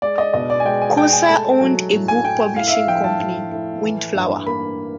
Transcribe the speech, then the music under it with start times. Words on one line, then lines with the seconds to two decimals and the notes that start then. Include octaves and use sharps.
Kooser owned a book publishing company, Windflower.
0.02 G#3 D5
0.18 D#5
0.34 B2 D#5
0.50 D5
0.60 G#5
0.65 G#3 G5
0.82 G#5
0.97 G#3 G5
1.13 G#5
1.29 A3 A5
1.61 F#3
1.92 A2
2.08 G#5
2.24 A2 G5
2.56 A2 F5
2.68 E5
2.72 F5
2.87 F3 G5
3.04 A5
3.19 A2
3.52 A2
3.83 E3
4.15 G2
4.46 A#3 B5